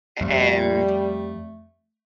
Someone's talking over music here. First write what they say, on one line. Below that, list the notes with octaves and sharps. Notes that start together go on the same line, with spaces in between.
a and
F2 G3 A3